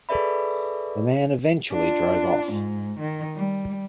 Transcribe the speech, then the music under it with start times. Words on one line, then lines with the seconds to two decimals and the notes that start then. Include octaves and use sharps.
The man eventually drove off.
0.09 G#4 A4 B4 D5 E5 B5
1.72 D4 F4
2.52 G#2
3.00 D#3
3.35 G3